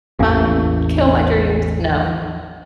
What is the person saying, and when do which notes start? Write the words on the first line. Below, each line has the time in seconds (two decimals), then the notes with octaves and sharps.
Fine. Kill my dreams, no.
0.19 A1 E2 A#3 C#4